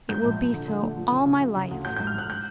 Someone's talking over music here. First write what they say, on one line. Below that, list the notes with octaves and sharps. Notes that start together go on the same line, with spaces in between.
It will be so all my life.
G#2 G6
A#1
A#1
D3
D3
A3
F3
C#3
C#3
F#3
C#3
D2
A1 G6
G#2 G6
F6
G#2 F#6
G6